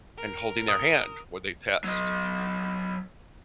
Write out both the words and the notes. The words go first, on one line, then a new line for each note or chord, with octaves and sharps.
and holding their hand when they passed.
A#4
D#6
F#3 D#5